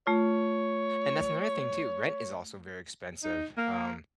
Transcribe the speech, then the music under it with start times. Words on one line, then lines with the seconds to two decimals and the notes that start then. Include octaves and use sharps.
and that's another thing too. Rent is also very expensive, um,
0.07 A3 F4 C#5
3.23 D#4
3.57 A#3